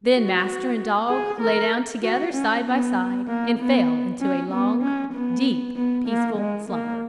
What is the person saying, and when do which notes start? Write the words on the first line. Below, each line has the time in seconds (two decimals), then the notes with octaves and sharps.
Then master and dog lay down together side by side and fell into a long, deep, peaceful slumber.
0.17 F#4
1.09 G#4
1.40 A#4
2.02 F#4
2.34 C#4
2.66 B3
3.28 A#3
3.58 B3
4.21 C#4
4.52 B3
4.83 C#4
5.13 B3
5.76 B3
6.08 A#3
6.39 G#3
6.69 A#3